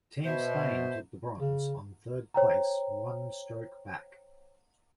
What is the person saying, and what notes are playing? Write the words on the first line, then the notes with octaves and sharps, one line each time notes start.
Team Spain took the bronze on third place one stroke back.
B2 C5 E5
C#3
C5 C#5 G5 A#5